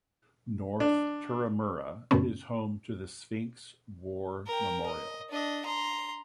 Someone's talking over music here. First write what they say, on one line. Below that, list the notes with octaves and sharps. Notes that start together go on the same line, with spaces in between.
North Turramurra is home to the sphinx war memorial.
D4
F#2 A#2 C#3 A3 B3 C#4
A#4 G5
D#5
D4 D#5
A#5 C6